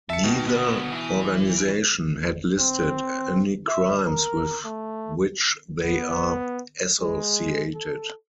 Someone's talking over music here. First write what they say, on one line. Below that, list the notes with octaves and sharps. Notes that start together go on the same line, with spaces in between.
Neither organization had listed any crimes with which they are associated.
E5 A5 C#7
B2 D#3
D3 B3
E3
C4
E5
A#4
A3
B3
G#3
A4